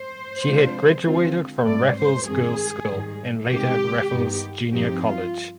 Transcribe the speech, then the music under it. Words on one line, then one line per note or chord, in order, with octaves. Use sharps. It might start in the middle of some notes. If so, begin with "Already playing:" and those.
She had graduated from Raffles Girls’ School and later Raffles Junior College.
Already playing: C5
C3 F3 G#3 D4 F4
D3 G#3 C4 F4
G#2 G3 C4 D5
C5
G2 D#3 G#3 C4 G#4
G#2 D#3 G3
C3 D#3 G#3 G4
G2 D#3 B3 D#4
G2 F3 C4 D#4 G4
F4